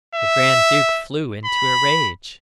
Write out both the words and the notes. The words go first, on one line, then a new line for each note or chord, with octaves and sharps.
The grand duke flew into a rage.
E5
B5